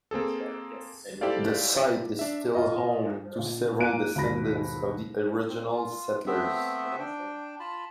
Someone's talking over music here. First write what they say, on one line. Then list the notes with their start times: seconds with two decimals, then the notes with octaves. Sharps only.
The site is still home to several descendants of the original settlers.
0.11 A#3 C4 G#4 A4
1.21 E4 G4 A4 C5 D5 F5
2.19 D4 E5
2.55 F4 D#5
3.39 A#2
3.80 A#3 F4 F#6 D7 D#7
4.15 D#2 G#2 B2 B5 A#6
5.49 C4
5.72 F4
6.26 A3 B3 C4 E5
7.00 D4 G5
7.60 F4 A5 B5